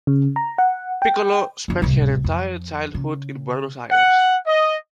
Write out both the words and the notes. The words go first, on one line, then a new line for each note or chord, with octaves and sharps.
Piccolo spent her entire childhood in Buenos Aires.
C#3
A#5
F#5
G5
F#2 D3
D1 C2
F2
C#3
F#5
D#5